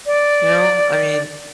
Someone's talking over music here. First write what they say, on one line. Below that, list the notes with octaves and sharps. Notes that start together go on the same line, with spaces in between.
you know, I mean,
D5